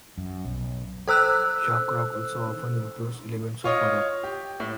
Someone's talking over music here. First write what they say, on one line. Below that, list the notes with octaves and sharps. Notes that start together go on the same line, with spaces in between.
Shock rock also often includes elements of horror.
F#2
B1
A4 C5 E6 F#6
F4 C#5 D#5
G4
A2